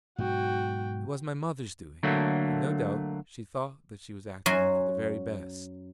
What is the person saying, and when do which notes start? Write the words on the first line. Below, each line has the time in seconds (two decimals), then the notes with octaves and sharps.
It was my mother's doing, and no doubt she thought that she was acting for the very best.
0.18 G#2 B2 F#3 F#4 G5
2.03 D3 F#3 A3 A#3
4.46 F#2 F#3 F#4 G#5 C6